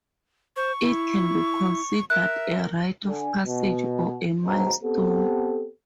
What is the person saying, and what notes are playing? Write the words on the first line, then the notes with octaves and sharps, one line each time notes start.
It can be considered a rite of passage or a milestone.
C5 C#6
E4
A#4 E5 F#6
D3 D4 G#5
B2
D#2 G#2 B2 F#3 C5 A#5
B3 C4 G4 A4